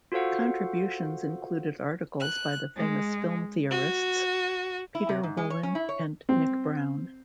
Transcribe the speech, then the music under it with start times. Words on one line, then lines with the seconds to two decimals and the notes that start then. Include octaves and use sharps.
Contributions included articles by the famous film theorists Peter Wollen and Nick Browne.
0.12 F4 F#4 A4 C5 F5 F#5
2.20 F#6
2.76 G#3
3.70 F#4
4.95 E4
5.09 C3
5.23 G#2
5.37 G#3
5.50 C#5
5.63 C#4
5.75 E4
5.89 C#5
6.29 C4